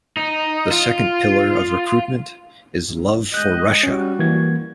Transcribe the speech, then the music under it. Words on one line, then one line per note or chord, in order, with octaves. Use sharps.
The second pillar of recruitment is love for Russia.
D#4
F4
G#3 D#5 F#6 G6
G3 C#4 F#4
E3 A#3 G#6